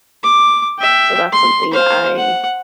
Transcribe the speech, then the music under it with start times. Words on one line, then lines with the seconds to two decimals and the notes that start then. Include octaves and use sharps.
So that's something I
0.23 D6
0.79 E5 G5
1.33 C6
1.71 C5 F5
2.17 F#5